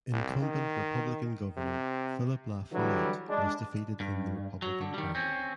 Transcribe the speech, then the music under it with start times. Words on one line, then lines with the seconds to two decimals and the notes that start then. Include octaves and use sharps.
Incumbent Republican Governor Philip La Follette was defeated in the Republican primary.
0.12 C2
0.42 D#3
1.57 C3
2.72 D3 E3 F#3 G3
3.28 G#3 D4
4.00 G2
4.62 F#3
4.81 D3
4.94 D#3 G3
5.15 C4 C#4